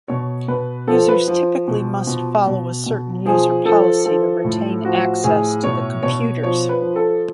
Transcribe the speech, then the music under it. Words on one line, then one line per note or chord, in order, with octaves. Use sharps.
Users typically must follow a certain user policy to retain access to the computers.
B2 C#5
B2 B4
F3 A4
B4
F3
B2
B2
B2
B2
F3 G#4
F3 A4
F3 A4
A2
F3 F#4
A2 G#4
B2 C#5
B2 C#5
F3 C#5
B4
F3
A4